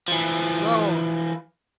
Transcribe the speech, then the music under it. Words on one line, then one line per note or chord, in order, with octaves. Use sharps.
"Go on."
E3 F3